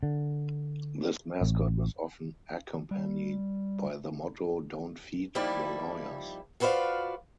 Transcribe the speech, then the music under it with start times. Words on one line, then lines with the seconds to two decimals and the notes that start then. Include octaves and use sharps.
This mascot was often accompanied by the motto Don't feed the lawyers.
0.03 D3
1.41 A1
2.91 G3
5.35 F3 G3 A#3 D#4 E4 D5
6.60 F4 F#4 B4 C5 D5 F5